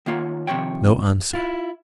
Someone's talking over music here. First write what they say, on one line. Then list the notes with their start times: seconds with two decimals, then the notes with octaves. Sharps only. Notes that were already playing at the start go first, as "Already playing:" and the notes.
No answer!
0.06 D#3 A#3 F4 C#5
0.47 C3 D#3 F3 C#5 G5
1.33 E4 F4